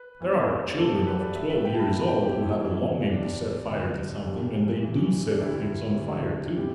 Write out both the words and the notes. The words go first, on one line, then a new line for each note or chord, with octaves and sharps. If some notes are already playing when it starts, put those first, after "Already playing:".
There are children of twelve years old, who have a longing to set fire to something and they do set things on fire, too.
Already playing: B4
E2 E3 G3
E2 B2 G3 A4
G4
B4
D5
G2 D3 G3 E5
E5
G5
A5
B5
E2 B2 G3 A5
G5
G4
E4
A2 E3 G3
E2 D3 G3 D4
D2 D3 G3
G2 E3 G3
E2 E3 G3
D4
D2 D3 G3 E4
D2 D3 G3
E3 G3 G4